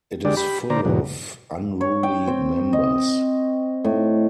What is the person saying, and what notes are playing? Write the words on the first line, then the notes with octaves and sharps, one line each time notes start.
It is full of unruly members.
D3 G#3 D4 G4 D5
G4 B5
A#2 D3 C5 D5 A#5
E2 G#2 B2 D3 F#3
C#5
G5
C4
D#5
A2